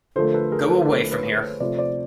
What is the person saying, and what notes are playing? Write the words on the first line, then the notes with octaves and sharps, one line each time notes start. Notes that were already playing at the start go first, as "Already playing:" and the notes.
Go away from here.
D3 F3 A3 A#4 C5
A4 B4
G#4 A#4
A4 B4
D3 F3 A3 A#4 C5
B4 C#5
B4 C#5
C3 F3 A3 C5 D5
C5 D5